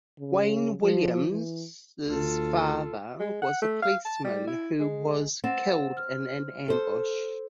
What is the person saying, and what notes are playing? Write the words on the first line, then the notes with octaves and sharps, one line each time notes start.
Wayne Williams' father was a policeman who was killed in an ambush.
C#3
F3
E3
D2 F4 A4
G#3
F#5
A3
F5
A5
G3
E4
G#3
C4 F#5 A6 E7
F6
A4 C5